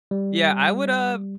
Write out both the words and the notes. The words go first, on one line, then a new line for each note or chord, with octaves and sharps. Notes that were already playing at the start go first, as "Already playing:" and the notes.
Yeah, I would, uh,
G3